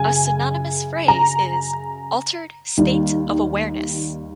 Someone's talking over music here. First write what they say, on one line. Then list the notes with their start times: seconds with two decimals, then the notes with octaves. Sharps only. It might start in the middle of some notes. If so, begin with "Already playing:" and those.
A synonymous phrase is "altered state of awareness".
Already playing: F#2 C#3 G#5
1.08 A#5
2.77 D#2 D#3 G3